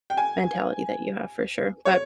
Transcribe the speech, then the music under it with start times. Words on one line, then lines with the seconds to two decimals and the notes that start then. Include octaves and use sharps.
mentality that you have, for sure. But,
0.10 G5
0.17 G#5
1.85 C#5